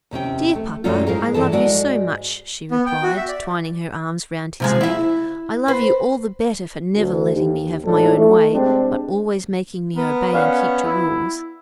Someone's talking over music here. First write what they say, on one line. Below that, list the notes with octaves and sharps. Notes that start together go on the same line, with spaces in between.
"Dear papa, I love you so much!" she replied, twining her arms around his neck, "I love you all the better for never letting me have my own way, but always making me obey and keep to rules."
D#2 C3 C#4 G5
A3
F#2 B2 F#3 G3 A3 F4
G#2 G#4 A#4 F5
G2 E3 A4 A5
G#2 G#3 F#4 D5
B3
G5
F#4
E5
D5
C3 F3 G#3
E4 E5
C4 B4
D2
D#2
A2 F3 G#3 D4 D#4 A4
A3
C3 G#3 C4 D4
B3 A#4
C#4 D5 F5 F#5
E4